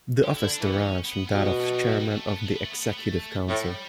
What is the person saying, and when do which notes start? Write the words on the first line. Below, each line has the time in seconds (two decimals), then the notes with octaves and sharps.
The office derives from that of Chairman of the Executive Council.
0.23 D3 G4
0.37 E4
0.42 D3
0.50 D4
0.57 A3
0.60 E3 B3
0.72 B3
0.78 C#4
1.05 B3
1.28 B3
1.33 B2 C#4
1.45 B3
1.60 A3
1.73 G3
1.87 F#3
2.00 G3
2.10 G3
2.14 A3
2.27 A3
2.36 B3
2.45 A3
2.54 B3
2.62 A3
2.70 B3
2.79 A3
2.88 B3
2.97 A3
3.49 A2 G3